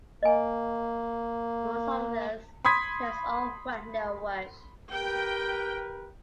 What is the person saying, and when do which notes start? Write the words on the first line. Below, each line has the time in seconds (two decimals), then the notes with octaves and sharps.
Amongst others, he directs all Wagner’s works.
0.23 A#3 D#5 G#5
2.65 B5 C6 D#6 G#6 B6
4.92 G4 A#4 B4 G5